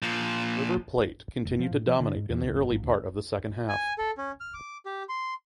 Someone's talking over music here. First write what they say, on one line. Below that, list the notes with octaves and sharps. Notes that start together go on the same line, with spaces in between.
River Plate continued to dominate in the early part of the second half.
A#2 F3
F1
F3
A2
F3
D3
G#2
E2
C#2
F#1
G#1
D2
G#5
A4
C#4
F6
D6
G4
C6